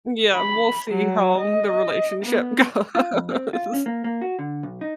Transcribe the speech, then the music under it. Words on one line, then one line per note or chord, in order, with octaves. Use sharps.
Yeah, we'll see how the relationship goes.
B5
F#3
D#5
B3
F4
F2
C4
F4
C#4
A#3
A#3
F#4
D3
B1
D#4